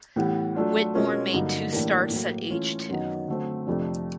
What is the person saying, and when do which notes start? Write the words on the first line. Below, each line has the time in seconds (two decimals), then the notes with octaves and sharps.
Whitmore made two starts at age two.
0.16 A2 E3 G3 B3
0.55 F#3 A3 D4 F4
0.94 B2 G#3 C#4 F4 A#4
1.33 G2 D3 F#3 A#3 D#4
1.72 A2 E3 G3 A#3 D4
2.11 A2 F#3 A#3
2.50 E3 A3 C#4 F4
2.89 F#2 D#3 F#3 B3 D#4
3.28 D3 F#3 A3 C4
3.67 F2 C3 F3 A3 D4